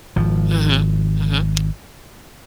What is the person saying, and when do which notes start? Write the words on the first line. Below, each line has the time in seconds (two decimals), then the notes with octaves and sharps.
Mhm. Mhm.
0.16 G#1 F3